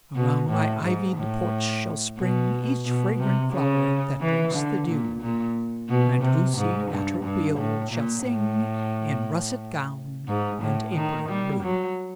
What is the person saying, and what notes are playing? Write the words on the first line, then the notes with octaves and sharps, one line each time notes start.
Around my ivied porch shall spring Each fragrant flower that drinks the dew; And Lucy, at her wheel, shall sing In russet-gown and apron blue.
B2
A2
G#2
A2
B2
B2
C3
C#3
E3
D3
A#2
A#2
B2
C3
G#2
G2
G2
A2
A#2
A2
G#2
A2
D#3
G3
F#3